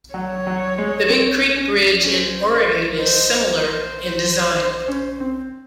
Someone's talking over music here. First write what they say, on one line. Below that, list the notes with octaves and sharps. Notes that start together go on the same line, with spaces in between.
The Big Creek Bridge in Oregon is similar in design.
F#3 C#5
F#3
G#3
C4
C#4
C#4 C5
D#4 C5
C5
C#4
C4